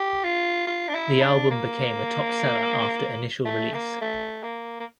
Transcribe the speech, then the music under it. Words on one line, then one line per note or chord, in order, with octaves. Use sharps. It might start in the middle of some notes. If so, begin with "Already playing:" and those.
The album became the top seller after initial release.
Already playing: G4
F4
F4
D4
E4
D4
A#3
A3
A#3
A3
A#3
A#3